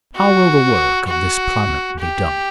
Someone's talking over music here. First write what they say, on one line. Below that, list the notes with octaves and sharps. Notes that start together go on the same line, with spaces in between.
How will the work of this planet be done?
F#4
F#4
G4